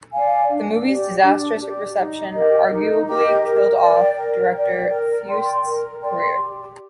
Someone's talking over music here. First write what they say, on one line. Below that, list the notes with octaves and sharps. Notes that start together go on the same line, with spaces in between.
The movie's disastrous reception arguably killed off director Fuest's career.
D5 F5 G#5
D4
G4 D5
D4
G4 D5
D#4
G4 A#4 D#5
D#4
G4 A#4 D#5
A#4
D5 G5
A#4
D5 G5
A#4
D5 G5 C6
A#4
D5 G5 C6
G4